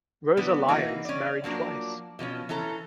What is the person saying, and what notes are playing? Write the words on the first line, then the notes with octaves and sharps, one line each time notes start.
Rosa Lyons married twice.
E3 G3 B3 D4
E3 A#3 D#4 F#4 B4
C#4 D5
F3 F#3 A#3 D4
B2 F3 A#3 C#4
E3 C#4 A4 A#5